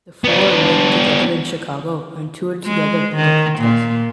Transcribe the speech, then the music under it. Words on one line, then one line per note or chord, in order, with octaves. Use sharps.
The four lived together in Chicago and toured together in their quintet.
B3 D4
G#3
D#3
A#2